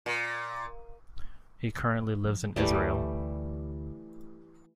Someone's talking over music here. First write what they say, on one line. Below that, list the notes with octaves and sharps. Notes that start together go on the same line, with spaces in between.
He currently lives in Israel.
A#2
F3
D2 E3 G3 A3